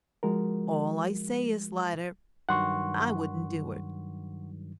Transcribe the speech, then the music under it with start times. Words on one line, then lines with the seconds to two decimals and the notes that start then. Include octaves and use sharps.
All I say is, Slider, I wouldn't do it.'
0.23 F3 G#3 F#4 A#4
2.49 G2 D#3 F#3 F#5 C6 C#6